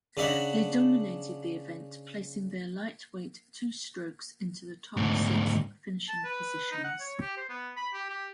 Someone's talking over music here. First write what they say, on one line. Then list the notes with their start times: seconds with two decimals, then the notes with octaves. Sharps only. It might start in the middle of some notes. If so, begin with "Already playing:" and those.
They dominated the event placing their lightweight two-strokes into the top six finishing positions.
0.17 C#3 D4 E5 F#5
4.97 D2 G#2
6.08 A5
6.24 B4
6.71 D#4
6.84 F#5
7.00 C#5
7.21 G4
7.37 C5
7.49 B3
7.77 B5
7.93 G4
8.10 G4